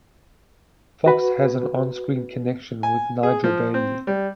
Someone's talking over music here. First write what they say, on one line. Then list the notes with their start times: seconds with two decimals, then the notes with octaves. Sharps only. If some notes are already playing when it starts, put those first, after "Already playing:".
Fox has an on-screen connection with Nigel Bailey.
1.06 F#4 B4
2.83 G#5
3.23 G#4
3.44 F3
3.74 C4
4.07 G3